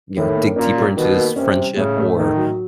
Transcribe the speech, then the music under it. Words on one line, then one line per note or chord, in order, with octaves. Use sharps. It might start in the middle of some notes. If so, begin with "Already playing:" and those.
you know, dig deeper into this friendship or,
A2 D#3
A#3
A#2 C#4
G3
B2 D#3
A#3
C3 C#4
G3
A2 C#3
A3
A2 D#3
F#3